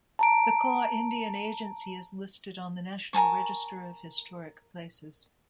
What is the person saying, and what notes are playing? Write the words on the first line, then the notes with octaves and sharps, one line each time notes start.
The Kaw Indian Agency is listed on the National Register of Historic Places.
A5 A#5 D7
A#4 G#5 A5 C#6